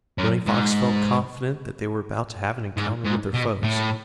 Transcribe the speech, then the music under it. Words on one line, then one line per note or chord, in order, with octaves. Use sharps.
Running Fox felt confident that they were about to have an encounter with their foes.
F#2
G#2
G#2
G#2
B2
A2